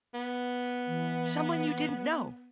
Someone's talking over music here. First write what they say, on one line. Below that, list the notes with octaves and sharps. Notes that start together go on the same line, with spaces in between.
Someone you didn't know?
B3
E3